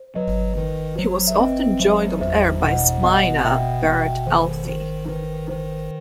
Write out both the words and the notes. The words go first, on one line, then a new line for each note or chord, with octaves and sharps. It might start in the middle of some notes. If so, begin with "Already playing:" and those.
He was often joined on air by his mynah bird Alfie.
Already playing: C5
F#3 B4 D#5
D#3 B4
F#3 C5
E5
C4 B4 D#5
F#3 C5 E5
E2 C5 E5
B2 D#5 F#5
B3 D#5 F#5
B2 E5 G5
B2 E5 G5
D#3 C5
D#3 C5
D#3 B4
D#3 C5